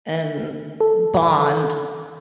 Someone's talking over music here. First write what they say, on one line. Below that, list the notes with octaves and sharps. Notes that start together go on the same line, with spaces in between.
and bond.
A4